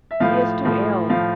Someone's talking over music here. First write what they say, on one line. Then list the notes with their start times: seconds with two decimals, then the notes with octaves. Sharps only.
"He is too ill."
0.11 E5
0.20 A2 F3 F5
0.65 A2 F3
1.09 A2 F3 F5